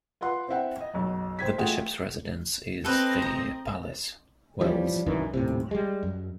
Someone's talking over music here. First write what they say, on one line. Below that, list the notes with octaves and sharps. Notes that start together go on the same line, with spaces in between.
The Bishop's residence is The Palace, Wells.
F4 B4 F#5 C6
C4 E4 C5 E5 F#5 G5
D#5
F#1 B1 F#2
C5 G5 G#6 B6
G#3 A3 F4 F#4 G#4 G5
C4 A4 B4 D#5
A#5
E3 F3 G3 C#4
C2 F#2 D#3 E3
D#1 A2 C3
G3 G#3
F#2